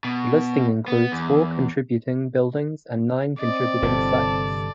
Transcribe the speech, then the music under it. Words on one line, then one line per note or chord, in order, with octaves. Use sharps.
The listing includes four contributing buildings and nine contributing sites.
B2
B3
E2
C4 D5 D#5
G1 C3 A4